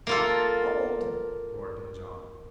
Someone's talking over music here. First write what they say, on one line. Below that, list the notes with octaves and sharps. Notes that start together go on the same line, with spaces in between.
"Hold!" roared Little John.
A#3 F4 A4